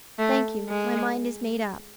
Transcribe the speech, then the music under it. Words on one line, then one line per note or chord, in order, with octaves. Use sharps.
'Thank you, my mind is made up.'
A3
G#3